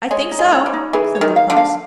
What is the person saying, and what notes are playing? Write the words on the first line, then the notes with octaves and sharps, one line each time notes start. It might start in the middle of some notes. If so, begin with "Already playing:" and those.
I think so,' said Little Klaus.
G#3 C#5
D#4
G#3
C#5
G3
D#4
E3 G#4
C#5
D#3
F5
D3
F5